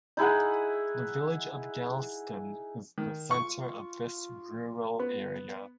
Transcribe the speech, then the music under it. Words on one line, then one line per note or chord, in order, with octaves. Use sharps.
The village of Galston is the centre of this rural area.
D#4 E4 G#4 F#5
D#3
F4 C#6
B3